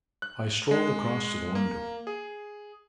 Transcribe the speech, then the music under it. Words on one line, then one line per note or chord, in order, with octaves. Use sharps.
I strolled across to the window.
F#6
G#3
A#3
G#4